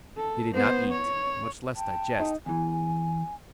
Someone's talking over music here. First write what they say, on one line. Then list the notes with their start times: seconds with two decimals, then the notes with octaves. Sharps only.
They did not eat, much less digest.
0.17 A4
0.53 B3 C5
0.92 C#5
1.76 G5 A5
2.20 D#4
2.46 E2 E3 G#5